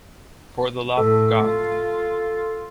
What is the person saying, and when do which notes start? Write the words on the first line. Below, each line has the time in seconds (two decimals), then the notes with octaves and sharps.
For the love of God.
0.98 A2 A4
1.47 F4